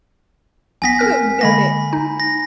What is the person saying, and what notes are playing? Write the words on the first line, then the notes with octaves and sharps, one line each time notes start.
Who Done It?
A#1 B3 G#5 A#6 B6
C4 A#4 F6
D3 G#3 A#3 B5 A#6
D#4
A#6